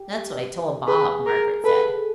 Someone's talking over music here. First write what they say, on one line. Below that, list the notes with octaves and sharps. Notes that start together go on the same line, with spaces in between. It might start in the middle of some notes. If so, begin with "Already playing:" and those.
"That's what I told Bob," Margaret said.
Already playing: G4
G#4 B4
A#4
A4 B4